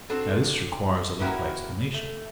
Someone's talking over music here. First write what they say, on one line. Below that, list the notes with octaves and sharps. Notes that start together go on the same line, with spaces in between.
Now this requires a little explanation.
C4 D4 F#4 A4
A#3 C#4 E4 F#4 A#4 G5
A3